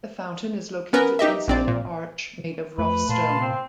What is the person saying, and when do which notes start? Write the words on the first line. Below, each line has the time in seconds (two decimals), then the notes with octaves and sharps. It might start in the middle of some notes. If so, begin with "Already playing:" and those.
The fountain is located inside an arch made of rough stone.
0.93 B3 C#4 A#4 B4
1.19 D#4 G4 D#5 E5
1.48 A#1 C4 D5
1.68 A#2
2.78 F2 A3 B4
3.09 A#2 B4 F5 A5 C6
3.41 C4